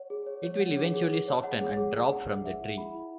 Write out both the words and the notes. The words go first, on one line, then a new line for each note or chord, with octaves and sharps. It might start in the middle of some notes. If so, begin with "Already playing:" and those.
It will eventually soften and drop from the tree.
Already playing: C#5 F#5
G#4
C#5
C#5
F#5
G#4
G#4
G#4
C#5
F#5
G#4
G#4
F#5
G#4
F#5
E5
E4
B5
E4